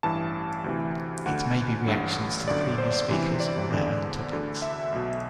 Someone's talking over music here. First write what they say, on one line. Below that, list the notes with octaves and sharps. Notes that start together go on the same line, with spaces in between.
It may be reactions to the previous speakers or their own topics.
A1 G2 E3 A5
D2 C3 E3
D2 D3 F#5
A1 G2 D3
G1 F#2 D3 D5
C5
D2 C3 E3
D5
E2 D3
D2 D3
E5
B1 B2